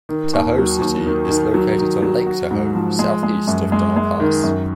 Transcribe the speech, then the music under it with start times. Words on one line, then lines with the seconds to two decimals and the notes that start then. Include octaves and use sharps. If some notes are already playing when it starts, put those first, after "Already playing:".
Tahoe City is located on Lake Tahoe, southeast of Donner Pass.
0.09 D#3
0.33 D#2
0.58 F#3
0.82 D#2
1.06 D#3
1.30 D#3
1.54 F#3
1.78 D#3
2.02 F#3
2.27 F#4
2.51 G#2
2.75 F3
2.99 G#3
3.23 G#3
3.48 F#2
3.72 G#3
3.96 G#3
4.20 D#3
4.44 F#2